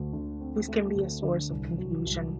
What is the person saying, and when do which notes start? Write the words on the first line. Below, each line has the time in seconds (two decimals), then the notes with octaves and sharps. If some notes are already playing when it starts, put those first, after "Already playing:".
This can be a source of confusion.
Already playing: D2 A3
0.13 D3
0.40 C4
0.68 A3
0.96 D2
1.23 D3
1.51 C2
1.78 F#3
2.06 C2